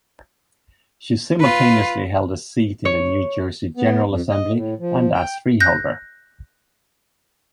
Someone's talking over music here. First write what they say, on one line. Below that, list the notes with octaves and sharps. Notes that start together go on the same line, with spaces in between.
She simultaneously held a seat in the New Jersey General Assembly and as Freeholder.
F4 B4
C#5
B3
F2
D#5
A2
F3
G5
F#6 G6 A#6